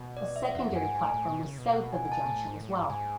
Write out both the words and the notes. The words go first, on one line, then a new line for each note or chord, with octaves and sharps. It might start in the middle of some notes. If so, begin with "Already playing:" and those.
A secondary platform was south of the junction as well.
Already playing: B2
D5
E5
E2 F#5
F#2
G#5
G#2
A2 G#5
A2
B2
C#3
B2
F#5
G#5
G#5
A5
B2
A2
G#2
A2
G#2
G#2 G#5